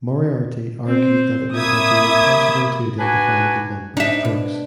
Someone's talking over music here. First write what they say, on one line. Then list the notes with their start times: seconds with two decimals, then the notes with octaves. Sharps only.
Moriarty argued that it would have been impossible to identify the lump as drugs.
0.87 C4 C5
1.56 A#3 E5 B5 D#6 G#6
3.00 D4 F#4 B4 G#5
3.97 D4 D#4 E5
4.25 B2